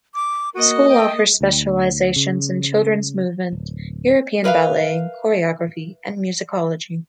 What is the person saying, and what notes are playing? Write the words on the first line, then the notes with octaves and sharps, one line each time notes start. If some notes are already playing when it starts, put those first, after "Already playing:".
The school offers specializations in children's movement, European ballet, choreography, and musicology.
D6
A#3 F#4 D#5
G5
D2
C#3
D1
A#4 B4 E5 F5